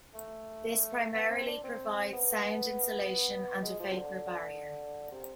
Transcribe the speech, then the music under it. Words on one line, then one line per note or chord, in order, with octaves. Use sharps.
This primarily provides sound insulation and a vapour barrier.
A3
B3
C4
D4
C4
B3
G#3
F3
C3
D3
C3